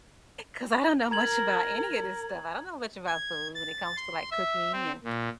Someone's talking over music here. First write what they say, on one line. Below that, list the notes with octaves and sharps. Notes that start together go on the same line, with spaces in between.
'cause I don't know much about any of this stuff. I don't know much about food when it comes to, like, cooking and,
A#4 A#5 G#6 F#7
G#6
A6
C6
E5
C4
A#2